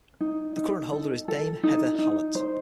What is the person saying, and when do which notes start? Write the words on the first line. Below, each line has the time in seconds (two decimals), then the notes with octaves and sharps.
The current holder is Dame Heather Hallett.
0.21 D#4
0.57 D#4
0.92 A4
1.28 A4
1.63 D#4
1.99 D#4
2.35 C5